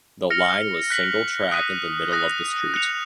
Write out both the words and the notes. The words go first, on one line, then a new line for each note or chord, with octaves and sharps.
The line was single-track in the middle of the street.
F6 A#6 C#7 F7
F#6 B6 F#7
D#6 F#6 B6 D#7
D#6 F#6 A#6
F#6 C#7 F7